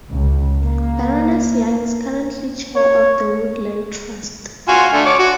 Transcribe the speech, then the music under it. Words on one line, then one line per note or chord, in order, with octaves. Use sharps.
Baroness Young is currently chair of the Woodland Trust.
C#2
A#3
C#5
F4 F#4 G#5
D3 A3
C#5 D6
F#4